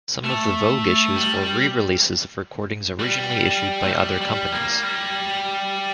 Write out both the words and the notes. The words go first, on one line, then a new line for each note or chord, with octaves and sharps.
Some of the Vogue issues were re-releases of recordings originally issued by other companies.
A3
G3
G3
A3
G3
G3
A#3
G3